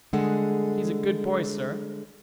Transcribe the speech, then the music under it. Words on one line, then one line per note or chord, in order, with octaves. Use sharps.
"He's a good boy, sir."
D3 G3 G#3 G#4 A4 F#5